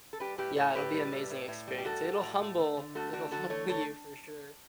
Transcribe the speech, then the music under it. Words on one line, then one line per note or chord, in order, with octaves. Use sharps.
yeah, it'll be amazing experience. It'll humble it'll humble you for sure.
A4
G3 G4 B4
A2 G4 B4
A2 A4 C#5
A2 G4 B4
G3
A2
A2
A2
G3
G4
A2 F#4 A4
G3
A2
A3
D3
D3
A3 F#4 A4
D3 D4 F#4
D3 F#4 A4
A3 A4 C#5
D3 A4 C#5